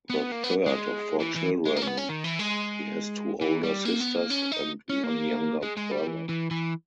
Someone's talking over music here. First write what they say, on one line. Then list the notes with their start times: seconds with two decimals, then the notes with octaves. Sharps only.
The third of four children, he has two older sisters and one younger brother.
0.10 B3
0.32 A#3
0.44 B3
0.66 G#3
1.20 E3
1.36 E3
1.65 G#3
1.76 A#3
1.82 C#4
1.87 B3
1.97 C#4
2.09 D#3
2.24 E3
2.39 G#3
3.41 E3
3.63 G3
3.85 A#3
4.00 B3
4.15 A#3
4.30 C#4
4.52 D#4
4.89 C#4
5.03 A#3
5.63 G#3
5.77 G#3
5.92 G3
6.07 E3
6.29 E3
6.51 E3